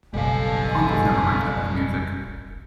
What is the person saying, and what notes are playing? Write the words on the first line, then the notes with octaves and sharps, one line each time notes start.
Punk was never my type of music.
F#1 B1 G3 A4 D#5 F5 G#5